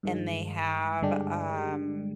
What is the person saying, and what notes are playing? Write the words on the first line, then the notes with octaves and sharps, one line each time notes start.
And they have, um
G2 D#3 G#3
G2 D3 G#3 D4 G4